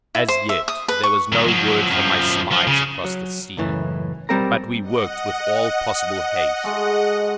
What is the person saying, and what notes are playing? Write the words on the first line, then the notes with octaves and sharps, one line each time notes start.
As yet there was no word from my spies across the sea; but we worked with all possible haste.
E4
C5
E5
D#6
B4
C#6
G2 D#3
F3 F#3
F#2 F3
F3
C#3
F#3
C#2 F#2 A2 E3
B1 F#2 G3 C4 A#4 A#5
D#5 F#5
G#3 F#4 A4